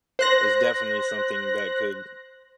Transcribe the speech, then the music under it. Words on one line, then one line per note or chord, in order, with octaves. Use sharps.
is definitely something that could,
C5 F#6 A#6